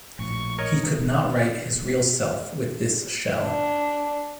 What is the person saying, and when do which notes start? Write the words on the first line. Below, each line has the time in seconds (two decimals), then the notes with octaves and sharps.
He could not write his real self with this shell.
0.19 A#1 A2 C#6
0.58 A#4 C#5 D#5
3.41 D4